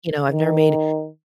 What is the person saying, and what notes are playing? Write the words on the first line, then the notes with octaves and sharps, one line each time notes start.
you know, I've never made
D#3